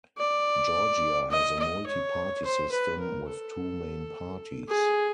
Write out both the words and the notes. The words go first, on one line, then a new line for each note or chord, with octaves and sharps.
Georgia has a multi-party system, with two main parties.
D5
D#5
D#5
C#5
C5
B4
A#4
A4
G#4